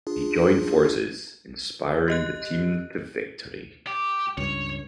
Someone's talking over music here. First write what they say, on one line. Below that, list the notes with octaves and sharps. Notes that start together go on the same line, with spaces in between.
They join forces, inspiring the team to victory.
D4 F4 G#4
G4 D#5 F#6
G4
C#2 G2 C#5